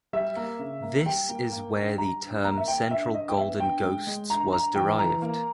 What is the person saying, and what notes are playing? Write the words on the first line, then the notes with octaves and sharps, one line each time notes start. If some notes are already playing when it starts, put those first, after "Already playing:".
This is where the term Central Golden Ghosts was derived.
G3 E5
A#3
C#3
A#3
G3 G5
A#3
A#3
G2
G3 A#5
G2
A#3 A#5
E5
A#3 G5
G2 E5
G2 D#5
G5
B3 E5
G2 G5
G#3
G#3
G2 A#5
G2 A#5
E3 G5
E3 A#5
A#3